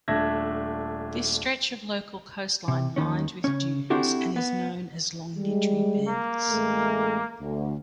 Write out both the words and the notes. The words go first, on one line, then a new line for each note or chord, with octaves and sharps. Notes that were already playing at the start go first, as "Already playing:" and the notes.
This stretch of local coastline lined with dunes and is known as Longniddry Bents.
D#1 A3 D4 E5 G#6 A#6
C3
D#2 D#3 C#4
C#3 C#4
C4 D4 E4 F#4 G4 A4
B3
G3 G#3
A#3
A1 G#3 A3
D2